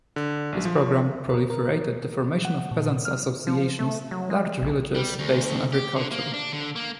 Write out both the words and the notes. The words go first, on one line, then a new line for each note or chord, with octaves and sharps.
This program proliferated the formation of peasant associations, large villages based on agriculture.
D3
A#1
F3
A#4
A#4
F#5
A#2
F6
F3
A3
F#3
G#3
A#1
G3
D2
G4
D3
A#3
D4
D3
A#3